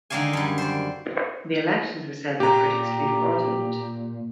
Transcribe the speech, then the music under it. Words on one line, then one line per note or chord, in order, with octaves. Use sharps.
The elections were said by critics to be fraudulent.
D3 D#3 G#3 D5 F5 G#5
F#2 G3
C5 D5
A#2 G4 A#5